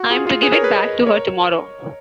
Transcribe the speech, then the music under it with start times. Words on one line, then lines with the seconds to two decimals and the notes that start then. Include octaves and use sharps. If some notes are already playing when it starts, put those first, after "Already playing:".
I’m to give it back to her tomorrow.
Already playing: F#4
0.10 F4 G#4
0.26 F4 G#4
0.42 G#4 B4
0.52 A#4 C#5
0.64 G#4 B4
0.74 B4 D#5
1.06 A#4 C#5